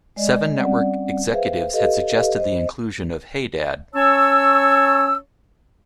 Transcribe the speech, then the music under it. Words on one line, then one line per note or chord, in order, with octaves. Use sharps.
Seven Network executives had suggested the inclusion of Hey Dad..!
G#3 D5 D#5
G3 C4 C#4 D5 F#5
G#4 B4 C5 E5 F5
G4 A4 B4 D#5 F5
C5 D#5
C#4 C#5 A5 C#6 E6